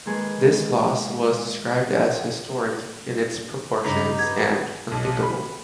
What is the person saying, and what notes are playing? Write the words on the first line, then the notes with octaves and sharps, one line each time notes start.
This loss was described as "historic" in its proportions, and "unthinkable".
D#3 G#3 A#3 G#4 A4 B4
G2 C#3 D#4 G4 A#5 B5
B3 G#4 G#6
B1
B5